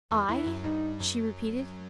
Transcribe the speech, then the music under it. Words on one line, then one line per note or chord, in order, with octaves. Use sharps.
"I?" she repeated.
E2 E3
E2 E3 E4
F#2 F#3
G2 G3 D#4
F#2 F#3